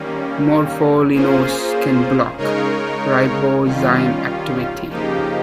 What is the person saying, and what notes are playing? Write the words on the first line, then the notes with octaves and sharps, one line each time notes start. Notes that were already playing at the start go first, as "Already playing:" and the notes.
Morpholinos can block ribozyme activity.
Already playing: D#3 G3 A#3 C#4
A#3 C#4 F4 G#4 C5
C#3 G#3 D#4 A#4 C#5
D#3 G3 C#4 F4
C#3 F3 A#3 D#4 G4